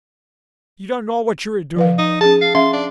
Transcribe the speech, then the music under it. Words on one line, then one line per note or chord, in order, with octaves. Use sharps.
You don't know what you are doing.
F3 B4 F5
D#4
C#4 G#4 A5
F5
C#4 E5 F5 C6
D4